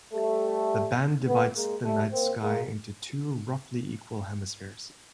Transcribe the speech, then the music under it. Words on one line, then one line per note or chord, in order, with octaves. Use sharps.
The band divides the night sky into two roughly equal hemispheres.
G3 A3
A3 B3
G#3 A#3
G3 A3
A#3 C4
G#3 A#3